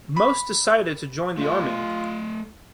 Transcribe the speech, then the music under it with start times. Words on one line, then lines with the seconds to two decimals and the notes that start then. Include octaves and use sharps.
Most decided to join the army.
0.16 B5
1.37 A3 F4 D#5